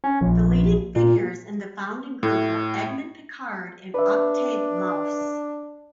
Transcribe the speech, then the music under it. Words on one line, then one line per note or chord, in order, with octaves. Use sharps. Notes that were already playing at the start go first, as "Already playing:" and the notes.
The leading figures in the founding group were Edmond Picard and Octave Maus.
C#4
A#1
A#2
A2
D4 B4 E5